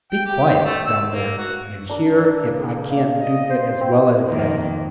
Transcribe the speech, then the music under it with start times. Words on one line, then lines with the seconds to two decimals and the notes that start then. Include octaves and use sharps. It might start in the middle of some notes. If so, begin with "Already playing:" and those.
Be quiet, down there, and hear if I can't do it as well as daddy.'
0.12 G5
0.26 G4
0.65 A3
0.86 E6
1.11 A#3
1.38 F#4
1.89 D4 A#4
2.43 C#3 A#3
2.91 F5
3.20 D#5
3.49 C5
3.81 C4 E4
4.27 F2 D#3 A#3